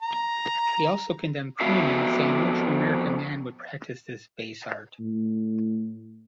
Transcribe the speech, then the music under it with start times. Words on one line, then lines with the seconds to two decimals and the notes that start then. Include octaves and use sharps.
He also condemned crooning, saying, No true American man would practice this base art.
0.02 A#5
1.60 F2 B3 D4 F#4 E5 F5
5.00 A2